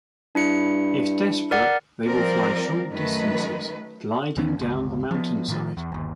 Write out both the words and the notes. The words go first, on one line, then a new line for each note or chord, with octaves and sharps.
If desperate, they will fly short distances, gliding down the mountainside.
G2 D4 E4 C#7
A#4 D5 F#5
F3 G3 C4 A#4 D5
F#2 D#3 A3 B4
D#2 E3 B3 C#4
G1 C#2
F3 B3
A2 D#3 F3
E2
G1 D#2